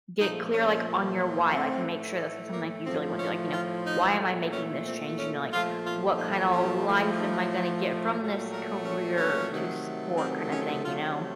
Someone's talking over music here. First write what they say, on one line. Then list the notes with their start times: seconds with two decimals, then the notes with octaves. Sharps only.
get clear, like, on your why. Like, make sure this is something, like, you really wanna be, like, you know, "Why am I making this change?" You know? Like, "What kinda life am I gonna get from this career to support kinda thing?" You know?
0.20 A#2 F3 A3 D#4
0.53 C#4
1.53 A2 A3 C4
2.52 A#3
2.85 A2 F3 A3 C4
3.18 C#4
3.52 F4
3.86 D#4
4.19 A#2 A3
4.52 C#4
4.85 C4
5.18 C#4
5.52 A#2 F3 A3 F4
5.85 F4
6.18 D#4
6.51 C#4
6.84 A2 F3 A3
7.18 D#4
7.51 F4
8.18 A#2 F#3 A3
8.51 A#4
8.84 C#4
9.17 C#4
9.51 C3 D#3 F#3 A3
10.17 C4
10.50 C#4
10.83 C3 F#3 A3 F4